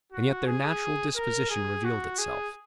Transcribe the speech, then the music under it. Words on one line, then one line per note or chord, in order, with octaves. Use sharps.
And yet their natural disposition revealed itself.
F#4
G#4
A#4
G#4
F#4
G#4